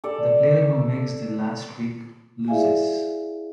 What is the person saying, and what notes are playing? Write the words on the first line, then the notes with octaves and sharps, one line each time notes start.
The player who makes the last trick loses.
A4 D5
E4 G#4 D5 E5 F5 G#5